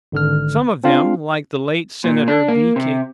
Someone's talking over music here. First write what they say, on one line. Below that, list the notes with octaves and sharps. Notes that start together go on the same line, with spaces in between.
Some of them, like the late Senator B.K.
G#1 D3 F6
C4 D4 F4 F5
A#2
D4
A#3
C3